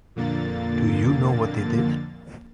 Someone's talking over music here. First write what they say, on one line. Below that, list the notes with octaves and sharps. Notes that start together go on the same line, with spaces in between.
Do you know what they did?
F2 A#2 D3 A#3 A6